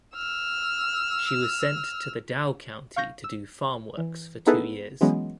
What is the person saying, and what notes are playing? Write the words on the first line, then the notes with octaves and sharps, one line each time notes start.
She was sent to the Dao County to do farm works for two years.
E6 F6
F5 C#6 G6 A#6
E6
E3
B3 D#4 E4 G#4 A4 B4
E3 F#3 G#3 B3 C#4